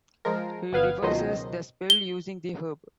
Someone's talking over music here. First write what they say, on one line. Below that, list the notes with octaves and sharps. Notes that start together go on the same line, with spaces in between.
He reverses the spell using the herb.
F3 G#3 A#4
G1 B3 B4 F5 G#6
C#2 B2 D#3 F#3 C5 D#5
G7